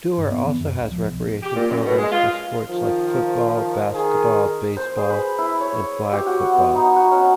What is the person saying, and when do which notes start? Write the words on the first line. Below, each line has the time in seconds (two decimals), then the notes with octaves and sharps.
Dorr also has recreation programs for sports like football, basketball, baseball, and flag football.
0.18 G2
0.31 B3
0.46 E3
0.60 F#2
0.78 C#2
0.91 F3
1.07 B1
1.43 G4
1.56 A#2
1.69 F#2
1.86 B2
1.98 G#3
2.11 F4
2.68 D#3 F3
3.94 D#3 G#4
4.77 C5
4.97 G#4
5.10 B4
5.38 E4
5.61 C#5
6.12 G4
6.26 F#4
6.53 B3
6.75 D#4
6.96 F#4
7.12 C#4